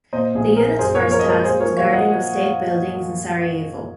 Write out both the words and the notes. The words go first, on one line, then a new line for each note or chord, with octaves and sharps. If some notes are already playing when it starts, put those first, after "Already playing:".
The unit's first task was guarding of state buildings in Sarajevo.
A#2 C5 D#5
A#1 G#4
A#2 A#4
F#2 G#4 C5
A#4 C#5
F3
A#4 C#5
G#3 D#5
A#4 C#5
A#3 G#4 C5
A#4 C#5
F3
C#5 F5
F3
D#5 F#5